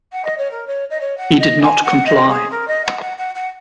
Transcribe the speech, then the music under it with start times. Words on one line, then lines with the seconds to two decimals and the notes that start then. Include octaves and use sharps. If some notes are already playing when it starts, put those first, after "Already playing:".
He did not comply.
0.12 F#5
0.24 D#5
0.38 C#5
0.51 A#4
0.67 C#5
0.90 D#5
1.00 C#5
1.17 F#5
1.39 D#5
1.62 G#5
1.84 F#5
2.06 D#5
2.29 G#4
2.51 A#4
2.67 D#5
2.85 F#5
3.01 F#5
3.18 F#5
3.35 F#5